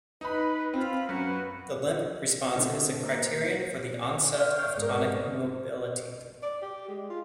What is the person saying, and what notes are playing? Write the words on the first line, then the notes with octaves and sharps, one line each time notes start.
The "limp" response is a criterion for the onset of tonic immobility.
D#4 B4 B5
C4 F4 B5
F#2 F#4 B4
B2 D3 A3 C4
A#3
B4 C5 D5 E5 F6
C#5 F5 G5
G#2 B3 G#4 A#4
B3
D5
G4
G#3
F4